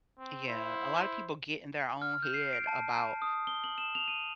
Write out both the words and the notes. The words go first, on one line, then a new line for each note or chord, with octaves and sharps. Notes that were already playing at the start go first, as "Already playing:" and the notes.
Yeah. A lotta people get in their own head about
C4
E4 C5
F6
G6
C7
D7
A5
A5
D#6
G7
F#7
E7
F7
D#7